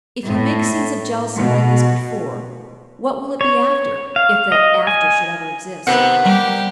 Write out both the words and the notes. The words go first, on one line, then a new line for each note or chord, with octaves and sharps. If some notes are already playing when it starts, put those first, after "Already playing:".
If you make scenes of jealousy like this before, what will it be after, if that after should ever exist?
A2
B2
C#5
F5
D#5
G#5
C3 D#3 B3 C4 F#5
G3 A#3 G4 A#4